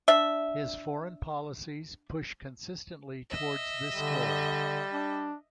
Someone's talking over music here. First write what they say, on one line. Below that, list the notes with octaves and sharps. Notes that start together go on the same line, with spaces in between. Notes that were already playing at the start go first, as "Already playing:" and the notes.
His foreign policies pushed consistently towards this goal.
D4 E5
D#5 E5
D3 G3
D4